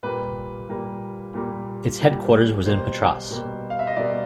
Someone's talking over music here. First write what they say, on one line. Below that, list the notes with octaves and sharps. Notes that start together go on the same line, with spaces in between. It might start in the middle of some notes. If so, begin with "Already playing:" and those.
Its headquarters was in Patras.
A#2 G3 A#3 B4
A#2 G3 A#3
A#2 G3 A#3
A#2 G3 A#3
B2 G3 A#3 C5
B2 G3 A#3
F5
E5
D#5
B2 G3 A#3 D5